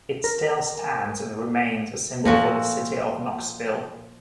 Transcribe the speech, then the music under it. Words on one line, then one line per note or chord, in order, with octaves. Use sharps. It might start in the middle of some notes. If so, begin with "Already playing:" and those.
It still stands and remains a symbol for the city of Knoxville.
A#4
A#2 F3 A#3 F#4 A4